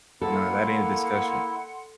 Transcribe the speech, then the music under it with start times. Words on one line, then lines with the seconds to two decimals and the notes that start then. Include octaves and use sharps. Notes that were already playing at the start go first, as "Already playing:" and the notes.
But nah, that ain't a discussion.
0.22 A#3 E4 A4 F#5 C6